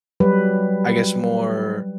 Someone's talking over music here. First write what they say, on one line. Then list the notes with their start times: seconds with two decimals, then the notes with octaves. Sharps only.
I guess, more
0.20 F#3 G3 B4